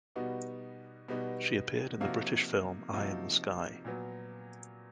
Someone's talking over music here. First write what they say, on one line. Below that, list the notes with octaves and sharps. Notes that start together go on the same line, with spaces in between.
She appeared in the British film "Eye in the Sky".
B2 G3 B3 D#4 F#4
B2 G3 B3 D#4 F#4
C3 F3 A#3 D#4 F#4
C3 F3 A#3 D#4 F#4
A#2 F#3 B3